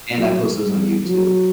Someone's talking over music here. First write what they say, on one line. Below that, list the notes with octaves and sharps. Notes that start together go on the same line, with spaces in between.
and I post those on YouTube,
F#3
G3
F#3